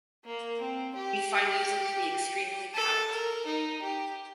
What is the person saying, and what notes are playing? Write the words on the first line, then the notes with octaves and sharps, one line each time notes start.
We find music to be extremely powerful.
A#3
C4
G4
A4
A#4
D#4
G4